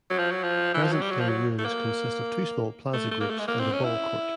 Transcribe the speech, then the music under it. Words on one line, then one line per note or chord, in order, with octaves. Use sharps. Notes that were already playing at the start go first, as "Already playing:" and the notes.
Present-day ruins consist of two small plaza groups and a ballcourt.
F#3
F3
F#3
F3
E3
F3
F#3
G3
F#3
F3
F#3
A3
A#3
A3
A3
A#3
A3
G#3
A#3
C4
C#4
E4